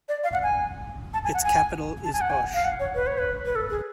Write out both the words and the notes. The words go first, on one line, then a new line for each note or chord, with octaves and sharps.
Its capital is Osh.
D5
F5
F#5
G#5
A5
G#5
F#5
G#5
A5
G#5
F#5
G#5
F5
F#5
C#5
B4
C#5
B4
B4
A4
G#4